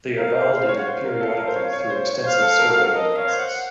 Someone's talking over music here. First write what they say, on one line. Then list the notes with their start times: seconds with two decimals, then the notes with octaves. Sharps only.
They are validated periodically through extensive survey analysis.
0.18 A#4 F5
0.35 C5
0.52 C5
0.64 C5
0.69 C#5
0.79 F#5
0.86 C5 F5
1.04 A#4
1.21 A4
1.38 A#4
1.47 C5
1.56 C#5
1.73 C#5
1.90 C5
2.07 C#5
2.24 C5 F5
2.42 A4
2.59 A#4
2.70 F#4
2.76 A4
2.93 A#4 D#5
3.16 C#5 F5
3.27 C5
3.39 F#5